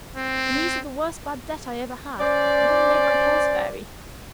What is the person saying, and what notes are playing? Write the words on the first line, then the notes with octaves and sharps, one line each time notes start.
The news of the worst bad debt I ever had, never made my pulse vary.
C4
C#4 C5 D5